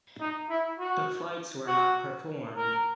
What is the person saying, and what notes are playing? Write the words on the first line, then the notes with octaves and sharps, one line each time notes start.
The flights were not performed.
D#4
E4
F#4
F#4
A#4